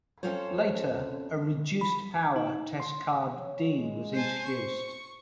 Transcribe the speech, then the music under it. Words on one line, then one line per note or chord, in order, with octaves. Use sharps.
Later, a "Reduced Power" Test Card D was introduced.
C4 C#4 F4 A4 C5 C#5
B5
D#4
C6
C#5
G#3
C5 G#5 A5
C5 C#6